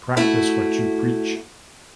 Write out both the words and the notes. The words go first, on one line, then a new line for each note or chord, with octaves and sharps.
Practice what you preach.
A3 E4 F#4